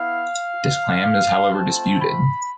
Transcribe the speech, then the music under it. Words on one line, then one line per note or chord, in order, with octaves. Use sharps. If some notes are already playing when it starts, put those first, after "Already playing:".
This claim is however disputed.
Already playing: B3 E4 F5
F5
A3 C4 F4 A5
B5